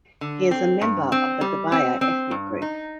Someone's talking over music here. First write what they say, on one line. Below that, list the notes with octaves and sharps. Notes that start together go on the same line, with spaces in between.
He is a member of the Gbaya ethnic group.
D3
C4
G2
C4
G3
C4
C4
G2
D#4